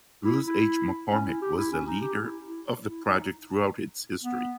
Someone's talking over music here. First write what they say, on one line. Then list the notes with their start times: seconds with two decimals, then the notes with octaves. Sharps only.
Bruce H. McCormick was the leader of the project throughout its history.
0.23 E4
0.46 E4
1.12 C#4
1.27 E4
1.42 G4
1.57 E4
1.72 C#4
1.87 D#4
2.01 G4
2.23 E4
2.46 E4
2.89 E4
3.04 D#4
4.23 B3